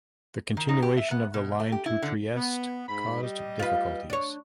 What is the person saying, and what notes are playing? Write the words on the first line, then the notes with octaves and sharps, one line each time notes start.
The continuation of the line to Trieste caused difficulties.
D#3
D#4
G4
E5
B3
B2
A3
G4
E4
D3
B3
G#2 B5
G3 G4 D#5
F4 B4
D4 C#5